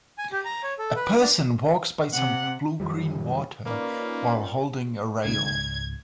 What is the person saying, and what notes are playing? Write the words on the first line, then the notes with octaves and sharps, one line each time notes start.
A person walks by some bluegreen water while holding a rail.
G#5
G4
A#5
C#5
A4
B4
D4
C3 F#5
F#2 D#3 F3 G3
A#3 C#4 D#4 F4 A#4 B4 D5
C#2 G#2 G#6